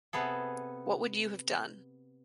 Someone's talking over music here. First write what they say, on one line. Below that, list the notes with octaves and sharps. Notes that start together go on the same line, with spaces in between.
What would you have done?
C3 B3 G#4 A4